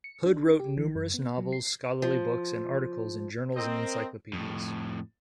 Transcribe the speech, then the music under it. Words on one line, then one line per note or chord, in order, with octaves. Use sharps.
Hood wrote numerous novels, scholarly books and articles in journals and encyclopedias.
C#7
D4
G4
E3
F#2
B3
F#3
C7
F3
C4 A#4 D#5
F2 A2